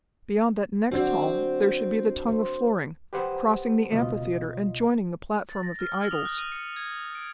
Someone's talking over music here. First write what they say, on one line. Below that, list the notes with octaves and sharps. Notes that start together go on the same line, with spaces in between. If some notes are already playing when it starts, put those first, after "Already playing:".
Beyond that next hall there should be the tongue of flooring, crossing the amphitheatre and joining the platform of the idols.
C4 D4 F#4 D5
C5
G4 B4 C5 F#5
C#2 B2 F4 D#5
A6
A#6
F6
E6
D#6
F#6
D#7
C#7
G#6
D7